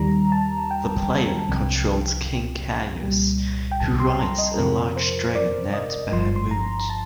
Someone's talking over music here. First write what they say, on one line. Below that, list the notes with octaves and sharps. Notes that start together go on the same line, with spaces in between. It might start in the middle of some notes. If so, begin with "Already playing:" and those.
The player controls King Kayus, who rides a large dragon named Bahamoot.
Already playing: D#2 D#3 G3 A#5
A5
G5
C2 C3 F3
C2 A#2 G3
G5
A5
C6
A#5
D#5
F2 C3 F3 A#4
C5
D5
D#5
G1 G2 F3 C6
C6
A#5
A#5
A5